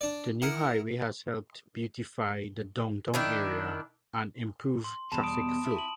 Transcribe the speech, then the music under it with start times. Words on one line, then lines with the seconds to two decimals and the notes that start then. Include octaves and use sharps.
The new highway has helped beautify the downtown area and improve traffic flow.
0.01 D4 D5
0.42 E4 A#4 F#5 D#6
3.14 D#3 D4 E4
4.84 C6
5.12 E2 B2 G3 A5 B5 E7
5.23 D#6 D7
5.61 C4 E4
5.76 A5 F#7